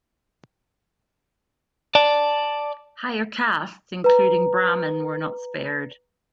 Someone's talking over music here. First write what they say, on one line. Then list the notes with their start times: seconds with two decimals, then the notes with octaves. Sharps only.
Higher castes including Brahmin were not spared.
1.95 D5 A5
4.04 B4 A#5